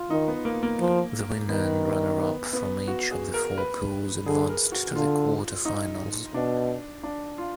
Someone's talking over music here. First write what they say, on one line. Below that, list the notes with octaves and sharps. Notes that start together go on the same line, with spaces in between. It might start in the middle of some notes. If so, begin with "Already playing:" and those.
The winner and runner-up from each of the four pools advanced to the quarter-finals.
Already playing: F4
D#3 D#4
B3
A#3
A#3
F3
D#3 B3
B3
B3
F#4
G#4
A#4
B4
D3 G#4
A#4
F#4
D3 F4
D#4
B2 D4
D4
F4